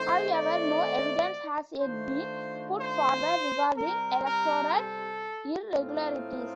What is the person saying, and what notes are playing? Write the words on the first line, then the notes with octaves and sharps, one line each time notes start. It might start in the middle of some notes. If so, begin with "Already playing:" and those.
However no evidence has yet been put forward regarding electoral irregularities.
Already playing: D#3 A3 C4 D#4 C5
D5
D#3 A3 D4 F4 C5
C5
C3 G3 C4 A#4
A#4
A4
A2 A3 C4 D#4 F4